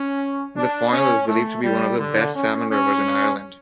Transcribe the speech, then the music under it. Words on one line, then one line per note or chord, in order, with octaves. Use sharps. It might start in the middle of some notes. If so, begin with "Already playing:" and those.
The Foyle is believed to be one of the best salmon rivers in Ireland.
Already playing: C#4
D4
C#4
A3
G3
D3
C#4
C#4